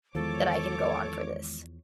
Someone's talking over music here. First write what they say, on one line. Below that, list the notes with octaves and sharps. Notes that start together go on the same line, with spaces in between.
that I can go on for this.
E2 D#3 F3 G#3 A4 C#5 D6